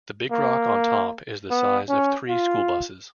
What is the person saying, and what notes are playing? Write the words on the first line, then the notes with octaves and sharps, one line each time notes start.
The big rock on top is the size of three school buses.
A#3
B3
C#4
F4